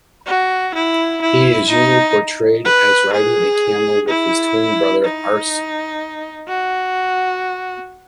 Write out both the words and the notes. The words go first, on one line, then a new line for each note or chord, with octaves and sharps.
He is usually portrayed as riding a camel with his twin brother Arsu.
F#4
E4
E4
D#4
B4
G#4
E4
D#4
F#4